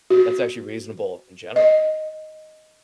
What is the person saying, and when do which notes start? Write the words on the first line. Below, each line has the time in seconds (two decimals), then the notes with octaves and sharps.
That's actually reasonable in general,
0.10 F#4
1.56 D#5